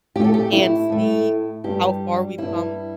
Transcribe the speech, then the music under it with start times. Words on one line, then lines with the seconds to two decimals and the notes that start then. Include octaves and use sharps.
and see w how far we've come.
0.16 A2 G4
0.20 A3 A4
0.34 G4
0.52 E4
0.90 A2 A3
1.64 G2 G3 G4
2.38 G2 G3 E4